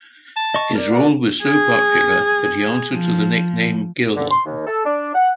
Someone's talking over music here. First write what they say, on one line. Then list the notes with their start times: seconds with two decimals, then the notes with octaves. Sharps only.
His role was so popular that he answered to the nickname "Gil".
0.36 A5
0.54 D#5 C#6
0.75 A#4 D5
0.90 F#4
1.43 G#4
2.93 F3
4.17 D3
4.31 C6
4.46 D#2
4.67 A4
4.85 D4
5.15 F#5